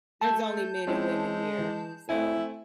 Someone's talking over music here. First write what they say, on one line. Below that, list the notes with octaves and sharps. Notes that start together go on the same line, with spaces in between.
There's only men and women here. So
A3 A5 G6
G#3 C4 C#4 E4
E3
A3 C4 E4 G#5